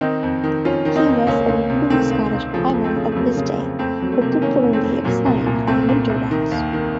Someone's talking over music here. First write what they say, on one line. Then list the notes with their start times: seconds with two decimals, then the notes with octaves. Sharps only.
He was a leading Scottish climber of his day, particularly excelling on winter routes.
0.01 D#3 C4 D#4
0.23 F2
0.44 D#3
0.65 F2 C#4 F4
0.85 D#3
0.95 C4 D#4
1.06 F2
1.27 C#2 A#3 C#4
1.48 C#2
1.69 C3
1.90 D#3 A3 C4
2.11 C#2
2.33 C#2
2.53 C#3 F3 A3
2.74 F2
2.84 A3 C4
2.96 C#3
3.12 A3
3.16 F2 F#3 A#3
3.37 C#3
3.58 F2
3.79 F2 A3 C4
4.00 F2 F#3
4.12 A3
4.21 C3 A#3
4.33 C4
4.42 D#3 A#3 C#4
4.62 F2
4.73 A3 C4
4.83 F2
5.04 A#2 F#3 A#3
5.26 C2
5.46 A#2
5.67 C2 A3 C4
5.88 A#2
6.09 C2
6.31 D#3
6.51 D#2
6.73 D#3